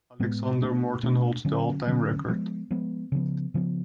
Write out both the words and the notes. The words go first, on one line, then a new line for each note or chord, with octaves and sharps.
Alexander Morten holds the all-time record.
A2 G#3 B3
B2 A3 D4
B2 A3 D4
D3 F#3 C#4
D3 F#3 C#4
F3 G#3 B3
F3 G#3 B3
C#3 F3 B3
C#3 F3 B3